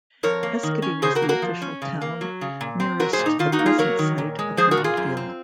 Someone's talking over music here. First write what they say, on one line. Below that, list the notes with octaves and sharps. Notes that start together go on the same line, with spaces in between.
Eschiti was the official town nearest the present site of Grandfield.
F2 A#4 C#5
A#3
D#3
C#4
C#3 G#4 C5
F#4 A#4
A#3
F#4 A#4
F3
C#4
C#3
A#3
F#3
C#3
A#2
C4
F#3 F#4 A#4
G#4 C5
A#2
D#4
D#3 F4
D#4 F#4
A#3
F4 G#4
F#3 A#4 C#5
D#3
A#2
G#3
F3 G#4 C5
F#4 A#4
A#2
F4 G#4
F#2
C4